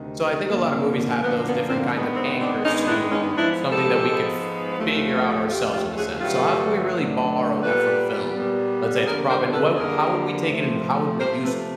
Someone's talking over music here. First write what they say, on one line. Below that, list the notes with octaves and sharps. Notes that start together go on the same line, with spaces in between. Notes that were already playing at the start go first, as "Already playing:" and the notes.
So, I think a lotta movies have those different kinds of anchors to something that we could f figure out ourselves in a sense. So how can we really borrow that from a film? Let's say it's a prop and wo how would we take it, and how would we use it?
Already playing: D2 C3 D#3
F#2 D3 F3 A#3
F#2 D3 F3 A#3 B3
B3
C4
G2 D#3 G#3 B3
C4
C4 D4
G2 D#3 G#3 B3 C#4 D#4
D4 E4
C#4 D#4
G#2 F3 G#3 B3 D4 E4
G4 A4
G#2 F3 G#3 B3
D#2 C#3 F3 A3
D#2 C#3 F3 A3 F4 G4
F4 G4
F#4 G#4
G2 D3 F#3 A3 F4 G4
G2 D3 F#3 A3
A#2 G3 B3 A4 B4
A#2 G3 B3
F2 D3 G3 A#3 G#4 A#4
A#4 C5
A4 B4
F2 D3 G3 A#3 G#4 A#4
C3 F3 A3
C3 F3 A3 A#4 C5
A4 B4